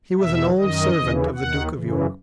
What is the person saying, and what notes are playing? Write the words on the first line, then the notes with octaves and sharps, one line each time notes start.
He was an old servant of the Duke of York.
E2 B2 E5
F#2 D#3 D#5
D#2 C#3 E3
D#2 D#3 F#5
F#2 C#3 E3